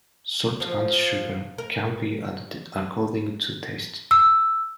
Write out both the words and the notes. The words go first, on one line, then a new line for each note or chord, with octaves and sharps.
Salt and sugar can be added according to taste.
F3
A#4
E6